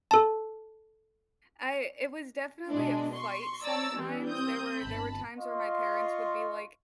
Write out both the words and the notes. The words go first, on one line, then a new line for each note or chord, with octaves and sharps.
I it was definitely a fight sometimes, there were there were times where my parents would be like,
A4 A5
B2 G#3 D4
C6 C#6
C#5 D5 A5 A#5 E6 A6
E3 G3 B3
C4 D#6 G6
G1 A5 B5
F4 D#5 F5 C6 C#6